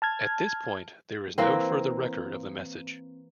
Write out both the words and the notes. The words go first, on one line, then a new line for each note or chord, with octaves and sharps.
At this point there is no further record of the message.
A5 F6 G#6
E3 A#3 C4